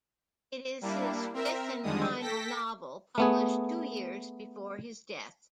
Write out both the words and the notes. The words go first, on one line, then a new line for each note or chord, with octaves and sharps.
It is his fifth and final novel, published two years before his death.
G3 A#3 D4 E4
C4 A#4 E5
F2 D3 D#3 G3 G#3 D#6
A4 G5 A#6 B6
A3 B3 G#4